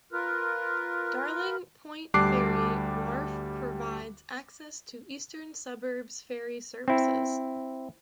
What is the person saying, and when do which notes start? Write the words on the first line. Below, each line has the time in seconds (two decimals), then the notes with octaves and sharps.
Darling Point ferry wharf provides access to Eastern Suburbs ferry services.
0.12 F4 A#4 B4
2.14 D2 G3 A5 D6 F#6 C7
6.88 C4 E4